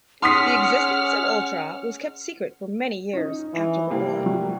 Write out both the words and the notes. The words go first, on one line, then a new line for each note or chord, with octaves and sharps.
The existence of Ultra was kept secret for many years after the war.
C#4 G#4 F#5 C6 D#6 F6 B6
C#4 D#4
E3
C3 G3 A#3 C4
F#3